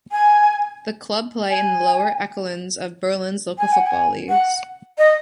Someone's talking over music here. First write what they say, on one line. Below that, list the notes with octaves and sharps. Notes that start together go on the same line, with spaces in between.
The club play in the lower echelons of Berlin's local football leagues.
G#5
G#5
G#5
F#5
G#5
F#5
D#5